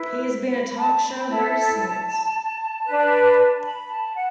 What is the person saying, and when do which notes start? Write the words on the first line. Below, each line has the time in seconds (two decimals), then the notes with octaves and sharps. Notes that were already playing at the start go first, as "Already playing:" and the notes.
He has been a talk show host since.
Already playing: E4 B4
0.50 B5
0.70 B5
0.77 A5
1.03 B5
1.18 B5
1.28 E4 A4 A5
2.85 D4 B4
3.62 B5
3.88 A5
4.15 F#5